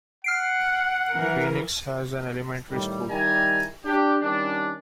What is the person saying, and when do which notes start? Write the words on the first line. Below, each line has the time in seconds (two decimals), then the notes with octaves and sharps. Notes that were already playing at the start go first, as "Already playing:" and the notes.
Phoenix has an elementary school.
0.24 F#5 F6 C7 D7
1.14 E3 A#4
2.69 A2 D#3 G3
3.08 D#3 G3 E4 G#5 A#5
3.84 D4 G4
4.21 D#3 G3 C#4 D4